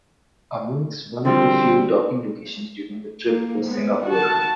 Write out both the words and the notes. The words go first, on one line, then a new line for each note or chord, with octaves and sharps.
Amongst one of the few docking locations during the trip was Singapore.
D3 F3 G3 C4
A#3
G#3 B3
F#4 A5